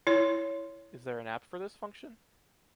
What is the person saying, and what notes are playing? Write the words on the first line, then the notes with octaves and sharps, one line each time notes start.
Is there an app for this function?
E4 C#5